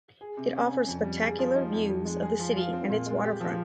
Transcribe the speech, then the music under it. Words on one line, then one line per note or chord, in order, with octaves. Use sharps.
It offers spectacular views of the city and its waterfront.
G#4
C3
C#4
C#4
F2
G3
G#4
F3
D#4
F2
F2
G#3
G#4
F3
F4
C4
A#2
G#3
G4
F3